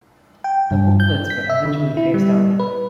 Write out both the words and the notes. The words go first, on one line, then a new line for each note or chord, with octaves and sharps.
The booklets were eventually phased out.
G5
G2
G6
B6
E5
D3
E4
G3
B4